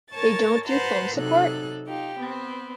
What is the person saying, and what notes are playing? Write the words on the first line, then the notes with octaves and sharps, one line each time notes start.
They don't do phone support?
A#4 C#5 A5 C#6 A6
B4 C5 F#5 A5 A#5 C6
C3 F#3 D#4 A4 F#6
D#4 F4 G4
B3 C4